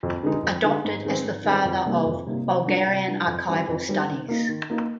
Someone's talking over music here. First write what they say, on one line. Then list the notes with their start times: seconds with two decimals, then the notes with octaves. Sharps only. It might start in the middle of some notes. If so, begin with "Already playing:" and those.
Adopted as the father of "Bulgarian archival studies".
0.03 F2
0.23 D3 G#3 D#4
0.43 F2
0.64 D3 G#3 D#4
0.85 G#2
1.05 D#3 G#3 C4
1.24 G#2
1.44 D#3 G#3 C4
1.65 F2
1.85 C3 G3 A#3 D#4
2.06 F2
2.26 C3 G3 A#3 D#4
2.46 C3
2.67 G3 D4 F4
2.87 C3
3.07 G3 D4 F4
3.27 F2
3.48 D#3 G3 C4
3.68 F2
3.88 D#3 G3 C4
4.09 D#3
4.28 A#3 D#4
4.49 D#3
4.70 A#3 D#4